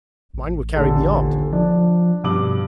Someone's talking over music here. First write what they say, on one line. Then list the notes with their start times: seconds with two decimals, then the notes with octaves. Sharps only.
Mine would carry beyond.
0.34 A1
0.76 D#1 D3 A4
1.53 F3 D4
2.24 G2 B2 D6 F#7